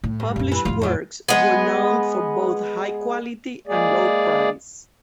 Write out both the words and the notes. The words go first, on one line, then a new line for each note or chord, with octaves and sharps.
Published works were known for both high quality and low price.
A2
G2
F#2 A#2
E3 B4
F2 A2 F4
F#2 D3 F4
G#3 B3
G#3 A#3 G#4 D5